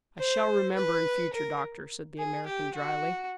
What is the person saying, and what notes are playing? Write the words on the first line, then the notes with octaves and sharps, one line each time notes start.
"I shall remember in future, doctor," said the American dryly.
C5
B4
A#4
G#4
G4
F#4